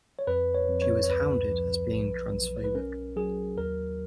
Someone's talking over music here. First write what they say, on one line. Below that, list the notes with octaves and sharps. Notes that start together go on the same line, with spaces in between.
She was hounded as being transphobic.
C#5
F2 B4
C#5
F2
C#5
C#5
C#2 B4
F3
B1
B1
B4
C#4 A#4
F#3 G#4
D#2 A#4